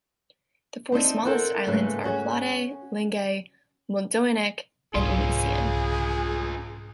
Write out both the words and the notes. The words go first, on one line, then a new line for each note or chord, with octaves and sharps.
The four smallest islands are Flodday, Lingay, Muldoanich and Uineasan.
C4 D4 D#4 E5
A4 A#4 C5 E5 F#5
G#2 C#3 A3 A#3 B4
C#4 F#4 G#4
C2 G#2 C#4 F4 G#4